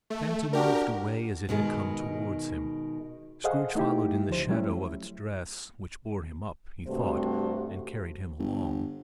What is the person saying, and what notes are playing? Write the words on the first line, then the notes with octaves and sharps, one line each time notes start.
The Phantom moved away as it had come towards him. Scrooge followed in the shadow of its dress, which bore him up, he thought, and carried him along.
A3
D4 F#4 G4 A#4
B2 D#3 G#3
G#4 A4 C5 D#5 F5 F#5
A3 D#4 E4 G4
D2 F3 C5
F#3 G3 A3 C#4 E4
G2 C3 G3 A3 F#4 C5
G1